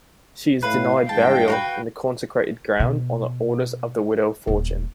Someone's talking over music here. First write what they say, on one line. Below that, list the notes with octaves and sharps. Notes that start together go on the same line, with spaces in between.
She is denied burial in consecrated ground on the orders of the Widow Fortune.
A2 B4 F5
G2 E3 G#3 G5 A5
F#4 A#4 B4
B2
D#1